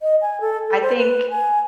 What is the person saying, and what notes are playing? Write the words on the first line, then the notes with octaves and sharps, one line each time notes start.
I think
D#5
G#5
A4
A4
C5
B4
G#5